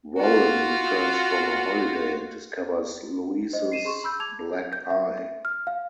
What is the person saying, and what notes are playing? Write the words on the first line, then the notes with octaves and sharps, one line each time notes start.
Warren returns from a holiday and discovers Louise's black eye.
F4 F#4
C5 D#5
C7 D#7 E7
G#4 C6 C#6
B5 E6 G6
A5 D6 G#6 F7
G6
E5
F6
F5